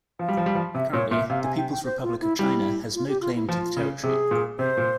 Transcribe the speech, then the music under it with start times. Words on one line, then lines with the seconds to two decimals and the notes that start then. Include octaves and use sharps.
Currently, the People's Republic of China has no claim to the territory.
0.19 F3 F5
0.28 G3
0.37 F3
0.46 G3
0.55 F3
0.75 C3 E5
0.93 A#2 C#5
1.11 A#2 E5
1.30 C3 F5
1.43 G#5
1.57 G5
1.71 G5
1.85 C5
2.03 F4
2.21 E4
2.39 G3 E4
2.94 F4
3.08 G4
3.21 F4
3.35 E4
3.49 F3 F4
3.77 C#3
4.03 C3 G#4
4.31 A#2
4.58 C3 C5
4.77 A#2